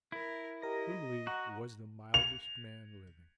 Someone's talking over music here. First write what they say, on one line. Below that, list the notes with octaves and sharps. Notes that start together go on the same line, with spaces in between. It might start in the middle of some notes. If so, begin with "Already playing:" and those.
Wimley was the mildest man living.
E4 A#4
G4 A#4 D#5 A#6
F#4 F#5 A#5
F7